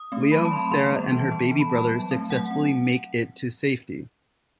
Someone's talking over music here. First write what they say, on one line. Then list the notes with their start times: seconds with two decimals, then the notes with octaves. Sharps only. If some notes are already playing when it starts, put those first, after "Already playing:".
Leo, Sarah and her baby brother successfully make it to safety.
Already playing: D#6
0.12 A3 C4
0.31 F#3 B5
0.45 A5
0.51 A3 C6
0.56 C4 B5
0.71 D#3 C6
0.91 G3 B3
1.11 E3 A5
1.31 B3
1.51 E3 A5
1.61 B5
1.70 G3 B3 A5
1.91 F#3
2.11 A3 C4
2.30 F#3 F#5
2.51 C4